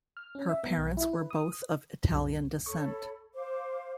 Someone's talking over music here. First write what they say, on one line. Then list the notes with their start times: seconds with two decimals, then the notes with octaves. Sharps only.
Her parents were both of Italian descent.
0.17 F6
0.35 C#4
0.49 E5
0.63 B3
0.77 B1
0.97 E4
1.13 B4
1.31 D#6
2.09 C2 F#2
2.66 A4 C#5 B5 C#6
3.34 C5 F5 D6